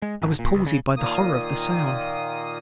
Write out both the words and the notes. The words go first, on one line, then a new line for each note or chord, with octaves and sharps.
I was palsied by the horror of the sound.
G#3
G#1
A#2
C#2
C#3
A#2 D#3 A#3 D#6